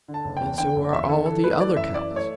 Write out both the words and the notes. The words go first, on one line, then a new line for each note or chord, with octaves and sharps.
And so are all the other cows.
D3
A5
F#1
E2 G5
D3 G5
F#1
E2 E5
D3 A4
E3 A4
A3 B4
E3 D5
F#2 E5
E3 D5
A3
C#5